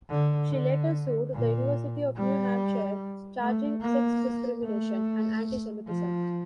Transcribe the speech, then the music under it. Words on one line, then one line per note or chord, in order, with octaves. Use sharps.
She later sued the University of New Hampshire charging sex discrimination and anti-Semitism.
D3
D3
A#2
G3
A3
A#3
A3
F3